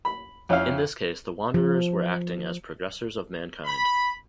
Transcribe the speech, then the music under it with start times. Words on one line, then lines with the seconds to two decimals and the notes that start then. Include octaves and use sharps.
In this case, the Wanderers were acting as progressors of mankind.
0.05 B5
0.49 F2 C#4 E4 F5
1.54 F3
3.65 B5